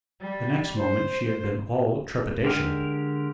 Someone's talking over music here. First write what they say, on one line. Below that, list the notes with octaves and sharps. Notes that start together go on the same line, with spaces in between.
The next moment she had been all trepidation.
G3
C5
D3 G#3 G4 A#4